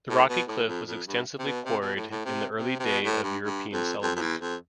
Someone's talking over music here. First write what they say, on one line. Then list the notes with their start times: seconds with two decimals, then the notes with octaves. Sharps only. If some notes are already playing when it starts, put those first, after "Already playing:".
The rocky cliff was extensively quarried in the early day of European settlement.
0.10 A2
0.29 B2
0.48 A2
0.68 F2
0.88 F2
1.07 G2
1.39 C3
1.46 B2
1.66 C3
1.82 B2
1.96 A2
2.11 A2
2.25 C3
2.55 C3
2.80 C3
2.85 B2
3.04 A2
3.23 G2
3.43 G2
3.73 F2
4.02 F2
4.16 F2
4.22 E2
4.42 F2